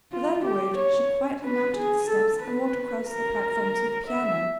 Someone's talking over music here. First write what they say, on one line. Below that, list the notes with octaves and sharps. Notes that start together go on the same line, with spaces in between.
Without a word, she quietly mounted the steps and walked across the platform to the piano.
F4
G4
C#5
B4
G#4
A4
B4
A#4
E5